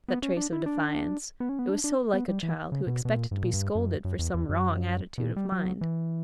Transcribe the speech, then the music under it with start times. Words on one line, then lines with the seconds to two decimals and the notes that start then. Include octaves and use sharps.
That trace of defiance--it was so like a child who expected to be scolded for some wrong attitude of mind.
0.08 B3
0.23 C#4
0.37 D4
0.53 E4
0.66 D4
1.40 B3
1.49 C#4
1.59 B3
1.69 D4
1.84 D4
2.14 B3
2.28 G3
2.43 E3
2.72 C#3
2.87 B2
3.05 B2
3.16 A#2
3.31 G2
3.43 A#2
3.54 G2
3.75 F#2
4.05 F#2
4.19 E2
4.34 E2
4.49 F#2
5.18 B2
5.22 A#2
5.36 G3
5.52 F#3
5.81 E3